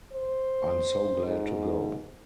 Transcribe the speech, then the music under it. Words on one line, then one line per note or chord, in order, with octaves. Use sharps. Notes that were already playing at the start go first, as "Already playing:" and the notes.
I'm so glad to go!
C5
G#2